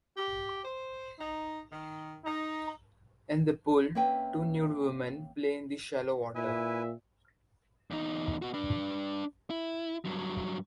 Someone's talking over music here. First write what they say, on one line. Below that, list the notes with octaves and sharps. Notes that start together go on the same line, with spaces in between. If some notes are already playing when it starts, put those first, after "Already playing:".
In the pool two nude women play in the shallow water.
G4
C5
D#4
D#3
D#4
A#3 C4 C#4 B4 E5 G5
A#2 E4 B4 E5 G#5
E2 D#4
B3 F#4
D4 B4
E4
G2 F#3